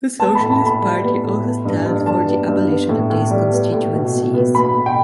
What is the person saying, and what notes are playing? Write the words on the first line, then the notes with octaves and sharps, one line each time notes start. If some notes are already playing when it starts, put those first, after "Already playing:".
The Socialist Party also stand for the abolition of these constituencies.
B3 A5
A2 B5
A5
A2 B5
G3
B3
A2
B3
G2
G2
G3 A5
B3
G2
B3
A2
A2
G3
B3
A2
B2
B2
B3
B3 B5
B2
G5